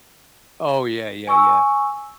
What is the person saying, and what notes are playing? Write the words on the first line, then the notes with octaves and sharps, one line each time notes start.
Oh, yeah, yeah, yeah.
G#5 C#6 E6